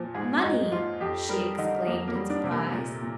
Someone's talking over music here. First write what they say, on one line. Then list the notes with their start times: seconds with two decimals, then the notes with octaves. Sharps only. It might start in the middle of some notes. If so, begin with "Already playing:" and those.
"Money!" she exclaimed in surprise.
Already playing: A#2 F3
0.15 G#2 G#4
0.43 G#2 D#4
0.72 F3 F4
1.00 F2 G4
1.29 G3 A#4
1.58 D3 D#4
1.86 F2 A#3
2.08 A#3
2.15 G3
2.30 D4
2.44 C3
2.51 A#3
2.72 A#2
3.01 A#2